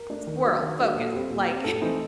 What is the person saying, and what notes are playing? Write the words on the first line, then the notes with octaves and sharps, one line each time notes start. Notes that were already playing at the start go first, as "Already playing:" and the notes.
squirrel, focus, like
Already playing: A#4
A3 D4
D#3
F#3 A#3 D4
D#3
F#3 A#3 D4
A#2 A4
G3 C4
A#2
G3 C4
A2 A4
E3 A3 C4 D#4